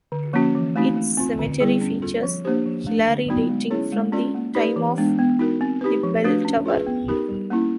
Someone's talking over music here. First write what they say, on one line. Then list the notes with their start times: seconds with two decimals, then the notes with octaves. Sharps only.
Its cemetery features Hilarri dating from the time of the bell tower.
0.12 D3
0.33 F3 A#3 C#4 F#4
0.55 E3
0.76 A3 C4 D#4 F#4
0.96 A3
1.17 C4 F4
1.39 D3
1.60 G3 B3 E4 G#4
1.81 C#4
2.02 F4 A4
2.23 F3
2.45 A#3 D4 G4 C5
2.66 F3
2.87 A3 D4
3.08 D3
3.28 F#3 B3 D#4 F#4
3.49 G#3
3.70 C#4 E4 G#4 C#5
3.92 G#3
4.13 C#4 F4 A4 D5
4.35 A#3
4.55 D#4 G4 B4 D5
4.76 E3
4.97 G#3 B3 D4
5.19 B3
5.39 D#4 F#4 A#4
5.61 C4
5.81 D#4 G4 B4
6.03 F3
6.24 A3 D4 F#4 B4
6.45 C#4
6.66 F4 G#4 B4
6.86 B3
7.08 D#4 G4 A#4
7.29 G3
7.50 A#3 C#4 E4